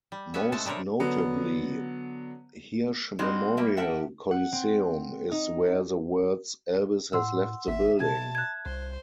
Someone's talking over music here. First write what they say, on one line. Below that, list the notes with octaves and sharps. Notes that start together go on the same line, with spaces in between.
Most notably, Hirsch Memorial Coliseum is where the words Elvis has left the building!
G3
B3 C#4 F#4 C#5 E5
B2 G#3 A3 A4 A5
C3 G3 D4 A#4 C#5
D3 F#3 B3
G3 G#3 C4 D#4 F#4 G#4
G3 A#3 E5
A#4 E5 F#5 G5 A5
F#5
C4
D#4
A2 F#5 C6 E6
G#1 E5
B2 A5 G#6
F#6 G#6
C2 C5